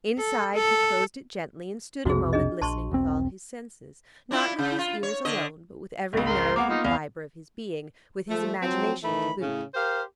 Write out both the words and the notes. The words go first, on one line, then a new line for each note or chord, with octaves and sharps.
Inside, he closed it gently, and stood a moment listening with all his senses--not with his ears alone but with every nerve and fibre of his being--with his imagination, to boot.
A4
A4
B1 F2 C3 F#4 G#4
D4 G#4 D#5
A#1 A5 C6 C#6
E1 B1 C4
D4 E4 F4
C#3
F4
C#5
D3 D#5
G#1 C#2
A#4 C6
A#3 B3 A#5 D6
D#4 F4
E2 F5
F3 A3
F3 F#3 C4
D#3 E3 A3 B5
A2 C#3
G4 A#4 C5 F5